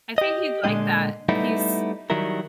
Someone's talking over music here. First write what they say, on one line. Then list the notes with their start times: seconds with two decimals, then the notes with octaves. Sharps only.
I think he'd like that. He's
0.18 G4 D#5
0.64 A#2 D3 F#3 G#3 D4 D#5
1.29 G3 A3 B3 D#4 E4
2.10 D#3 F#3 G3 E4 A#4